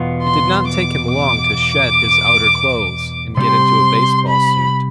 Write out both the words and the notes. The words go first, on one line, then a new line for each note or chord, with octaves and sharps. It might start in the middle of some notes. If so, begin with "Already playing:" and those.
It did not take him long to shed his outer clothes and get into a baseball suit.
Already playing: E2 B2 B3 F4
C6
D6
D6
C3 G3 C4 G4 C6
B5